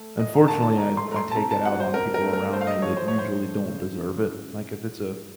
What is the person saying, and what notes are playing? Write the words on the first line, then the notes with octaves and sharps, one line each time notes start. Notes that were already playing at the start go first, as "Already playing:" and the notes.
unfortunately, I I take it out on people around me that usually don't deserve it. Like, if it's a
Already playing: A3
A2 D#5
A#5
A2 A5
A5
A2 A#5
C6
A3 A#5
C6
A5
C3 A#5
A5
F#3 F#5
C5
C3 A#4
A#4
A3
A#4
A3 C5
F5
D#5
F3 C#5
C5
A2 C#5
C5
A3
C#3
C#3